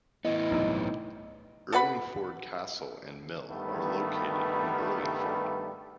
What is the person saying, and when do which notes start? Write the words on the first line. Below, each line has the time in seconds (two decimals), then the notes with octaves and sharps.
Urlingford Castle and mill are located in Urlingford.
0.25 A2 E3 B3 E4 D#5
0.51 B1 G2 C3 D#4 D5
1.72 A4 B4 F#5 B5
3.50 G2 D#3 G3 A3 B3